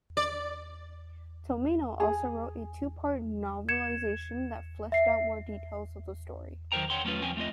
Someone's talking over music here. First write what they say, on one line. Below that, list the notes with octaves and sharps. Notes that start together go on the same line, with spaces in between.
Tomino also wrote a two-part novelization that fleshed out more details of the story.
D5
G#4
G#6 C#7 E7
E5 C7
D#3 F#3 A#4 C5 G5 A#5
C#5 F#5 G5 C6
F#3 A3 C#4 F4 B4
F3 C4 C#4 G5 G#5
A3 C4 F4 D#5